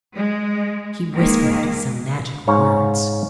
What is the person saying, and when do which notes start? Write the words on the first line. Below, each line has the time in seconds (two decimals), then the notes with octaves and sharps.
She whispered some magical words.
0.14 G#3
1.15 D#3 G#3 A#3
2.47 G#2 C#5 F5 A#5